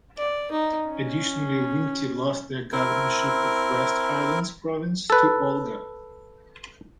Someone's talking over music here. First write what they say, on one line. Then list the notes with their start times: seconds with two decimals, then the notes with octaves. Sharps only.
Additionally, Wingti lost the governorship of West Highlands Province to Olga.
0.18 D5
0.51 D#4
0.89 C#4
2.72 C4 E4 A#4
5.10 A4 B4